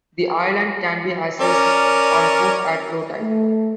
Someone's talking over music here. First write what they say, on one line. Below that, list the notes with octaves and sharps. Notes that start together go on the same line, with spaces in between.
The island can be accessed on foot at low tide.
C#4 A#4 D5
A3